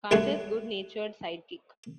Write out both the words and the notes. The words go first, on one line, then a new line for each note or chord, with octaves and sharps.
Carter's good-natured sidekick.
C2 A3 B3 F#4 G#4 C#5